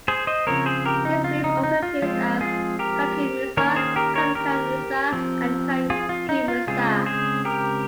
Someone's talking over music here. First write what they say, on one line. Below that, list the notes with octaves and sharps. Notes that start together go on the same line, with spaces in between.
His name also appears as Kankou Musa, Kankan Musa, and Kanku Musa.
G#4 C5
C5 D#5
C#3 F3 C4 A#4 C#5
G#4 C5
G4 A#4
D#4
F4
D#4
D#4
F4
F3 G#3 C4 F4
F4 G#4
G4 A#4
D#3 A#3 C#4 A#4 C#5
G#4 C5
G4 A#4
A#4 C#5
G4 A#4
F3 C4
F4 G#4
F4
D#4
F4
C#3 G#3 C4 F4 G#4
G#4 C5
G4 A#4